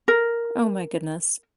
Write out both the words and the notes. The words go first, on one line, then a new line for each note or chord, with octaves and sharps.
Oh my goodness.
A#4